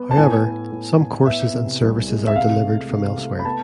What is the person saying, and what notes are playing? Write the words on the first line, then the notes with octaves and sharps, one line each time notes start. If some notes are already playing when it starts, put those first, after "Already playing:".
However, some courses and services are delivered from elsewhere.
Already playing: B3
A5
A2 G#5
B3
A2
A2
B3 E5
C3
C2
G#3
E5
C3 F5
A3
C3
A3
B5
B3 A5